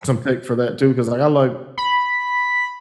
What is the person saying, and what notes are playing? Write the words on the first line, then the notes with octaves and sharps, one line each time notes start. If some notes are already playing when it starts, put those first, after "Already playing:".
some tech for that too, 'cause, like, I like
B5